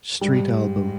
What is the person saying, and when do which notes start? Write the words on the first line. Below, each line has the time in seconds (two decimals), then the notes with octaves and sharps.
Street album.
0.21 G#2 G3